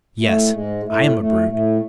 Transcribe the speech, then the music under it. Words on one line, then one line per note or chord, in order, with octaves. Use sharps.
Yes, I am a brute.
A2 A3
G#2 G#3
A2 A3
A2 A3
A2 A3